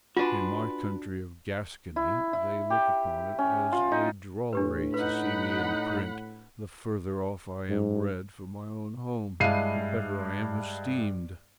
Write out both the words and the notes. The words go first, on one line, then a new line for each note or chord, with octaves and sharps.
In my country of Gascony, they look upon it as a drollery to see me in print; the further off I am read from my own home, the better I am esteemed.
D4 F4 F#4 B4 G#5 C6
E4
E4
G4
C#4
F4
D#4
A2 D4 G4 B4
D#4 B4 F#5 B5
G#2
G2 G#3 E4 F5 C7 D#7